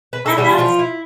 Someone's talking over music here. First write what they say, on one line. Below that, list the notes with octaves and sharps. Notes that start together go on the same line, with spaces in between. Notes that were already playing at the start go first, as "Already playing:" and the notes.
and that's
B4
A4
E3 G3 B3 D4 G4
F3 F4
E4